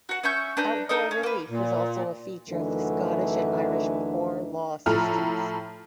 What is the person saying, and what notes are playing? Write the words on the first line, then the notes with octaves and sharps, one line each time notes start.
Outdoor relief was also a feature of the Scottish and Irish Poor Law systems.
F#4 F#5
C#4 E5 C#6 G6
D4 B4 A#5 G6
D#4 A4 A#4 D#5
C#4
A#3 B4
A#2
F#2 D3 E3 A3 D4 D#4
A2 F3 A4 A#5 F6